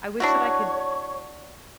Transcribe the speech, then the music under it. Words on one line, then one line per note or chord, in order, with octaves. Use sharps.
I wish that I could
D4 E4 F#4 C#5 C#6